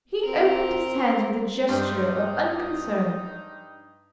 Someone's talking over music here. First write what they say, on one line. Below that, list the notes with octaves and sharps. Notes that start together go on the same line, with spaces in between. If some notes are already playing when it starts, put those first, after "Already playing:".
He opened his hands with a gesture of unconcern.
C4 A#4
G2 D#4 C5